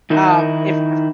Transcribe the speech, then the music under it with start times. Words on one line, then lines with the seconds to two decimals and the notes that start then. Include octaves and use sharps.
Um, if if
0.10 D#3 D#4 E4 A#4